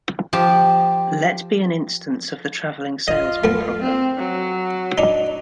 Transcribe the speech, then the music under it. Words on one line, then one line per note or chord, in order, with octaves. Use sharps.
Let be an instance of the travelling salesman problem.
F3 G4
F4 D#5
A3 B3
C4
F#3
D4 D#4